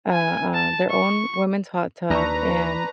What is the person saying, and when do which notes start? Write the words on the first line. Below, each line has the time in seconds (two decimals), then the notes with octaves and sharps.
uh uh, their own women's hot tub, and
0.13 G#5
0.54 A5
0.90 C#6
2.10 D#2 D4 B4 A#5 C#6